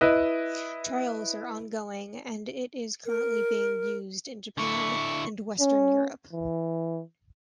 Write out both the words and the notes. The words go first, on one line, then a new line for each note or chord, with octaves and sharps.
Trials are ongoing and it is currently being used in Japan and Western Europe.
E4 B4 D#5
A#4
D3 E4 C#6
C#4
E3